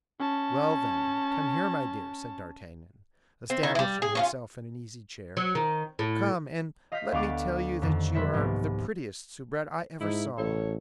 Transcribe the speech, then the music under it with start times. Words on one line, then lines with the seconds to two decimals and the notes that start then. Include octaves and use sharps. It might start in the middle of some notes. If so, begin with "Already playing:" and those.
"Well, then, come here, my dear," said d'Artagnan, establishing himself in an easy chair; "come, and let me tell you that you are the prettiest SOUBRETTE I ever saw!"
0.19 C#4 A5
3.50 C4
3.63 D#3 E4
3.75 E3 G3
4.02 G#4
4.15 C#4 D4 F4
5.37 F#3
5.55 D#3
5.99 A2
6.92 D#5 F5 D#6 F6 G6 B6
7.12 D2 B3 F5 D6 A6
7.82 F2 D3 D#3
8.15 F3 G3 G#3 B4 E5
8.33 C2 G#2 F3 G#3 A#3 B3
10.00 G#2 D#4 E4
10.38 A1 A4 C#5